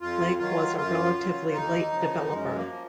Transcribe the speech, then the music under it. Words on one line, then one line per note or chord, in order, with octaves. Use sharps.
Lake was a relatively late developer.
F2 F4
D#3 F#3 F4
F#2 F4
C#3 F#3
D#2 D#4
C#3 F3
F#2 G#3
A#3
F3